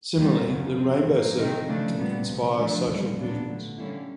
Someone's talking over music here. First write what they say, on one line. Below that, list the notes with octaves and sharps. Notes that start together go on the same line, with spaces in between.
Similarly, the Rainbow Serpent can inspire social movements.
D#2 D#3 G3 B3
F#2 C#3 F3
B2 G#3 C4
A2 F3 A#3 D#4
C3 D#3 G#3 C4 D#4
C#3 F3 A3 D4
A#2 G3 B3
D2 C3 F3
D3 F3 A3 D4
D#2 C#3 E3 G3
A#2 F#3 B3 D4
D3 F#3 A3
D3 G3 A#3 C#4 E4